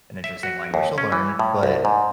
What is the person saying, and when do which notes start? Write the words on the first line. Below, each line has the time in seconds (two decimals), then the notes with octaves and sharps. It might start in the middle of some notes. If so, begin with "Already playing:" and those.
an interesting language to learn, but,
0.24 E5
0.43 F#4
0.74 D#2
0.98 C#4
1.12 E3
1.39 A2
1.63 C2
1.85 G#2